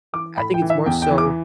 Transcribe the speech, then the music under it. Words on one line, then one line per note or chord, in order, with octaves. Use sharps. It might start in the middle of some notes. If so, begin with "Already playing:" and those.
I think it's more so
E3 D6
A2 B5
G5
E3
E5
E2 G5
G5
E3
D6